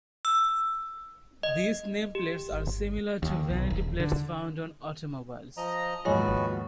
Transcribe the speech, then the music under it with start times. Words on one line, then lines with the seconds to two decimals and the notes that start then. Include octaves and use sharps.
These nameplates are similar to vanity plates found on automobiles.
0.25 E6
1.43 D#5
2.15 G4
3.23 D#2
3.50 B1
3.70 D#1
4.00 D3
5.57 F3 D#5 A#5
6.05 D#2 G#2 F3 B3 F#4 C#5 D#5 G#5